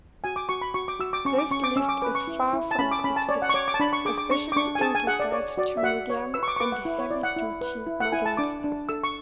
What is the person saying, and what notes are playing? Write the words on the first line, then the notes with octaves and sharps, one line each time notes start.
This list is far from complete, especially in regards to medium- and heavy-duty models.
F#4 G#5
D6
F#4 C#6
B5
F#4 C#6
D6
F#4 E6
D6
C#4 C#6
D6
C#4 C#6
D6
C#4 E6
D6
B4 D6
C#6
E4
E4
A5
C#4 B5
D6
C#4 B5
A5
C#5 D5
F#5
C#6
C#5 D6
D6
A5
D4 B5
C#6
G#4 D6
D6
D4 C#6
D6
D4 C#6
G#5
G#4 A5
G#5
G#4 F#5
D5
C#5 D5
F#4 D5
E5
F#4 F#5
C#5
B4 E6
C#6
D6
C#6
B4 D6
F#5
E4
C#5
E4 D5
F#5
E4
B4
E4
F#5
E4 G#5
A5
D4 D6
D4
A4 E6
C#6